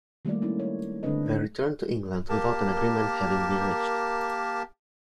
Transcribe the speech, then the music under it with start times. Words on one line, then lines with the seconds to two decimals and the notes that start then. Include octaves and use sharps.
They returned to England without an agreement having been reached.
0.25 D#3 G3 A3 A#3 F4 D5
0.42 G3 G#3 A#3 C#4 D#4 E4
0.59 C#5
1.03 D3 A3 C4 D4 B4 D#5
1.25 C#3 D#4 G#4
2.29 A#3 G4 A#4 A5